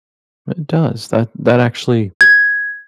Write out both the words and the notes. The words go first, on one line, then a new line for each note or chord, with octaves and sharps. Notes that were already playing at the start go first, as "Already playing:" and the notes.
But it does, that that actually
G#6